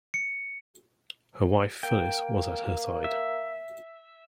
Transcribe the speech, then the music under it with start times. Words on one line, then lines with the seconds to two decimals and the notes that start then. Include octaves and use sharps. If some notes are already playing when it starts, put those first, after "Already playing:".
Her wife, Phyllis, was at her side.
0.14 C#7
1.83 A#3 G5
3.04 E5